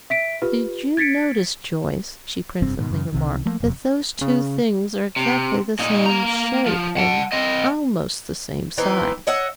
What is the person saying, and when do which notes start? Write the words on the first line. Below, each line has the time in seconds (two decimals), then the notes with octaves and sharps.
"Did you notice, Joyce," she presently remarked, "that those two things are exactly the same shape, and almost the same size?"
0.10 E5 B6 D7
0.42 F4 G4 B4
0.97 G#6 A6 B6 C#7 D7
2.62 F1 G2 C3 C4
2.78 G#2 B2 D#3
2.91 F#2 C#3
3.12 C2 C3 D#3
3.45 F3 A3 A#3
3.60 D#1 F2 C3
4.21 C#3
5.16 C3
5.79 A#2 D#4
6.06 A#3 A#5
6.66 F3
6.97 F#5 A5
7.32 C4 D#5
8.78 E3 B3 C4 D#4
9.27 C#5 D#5 E5 F#5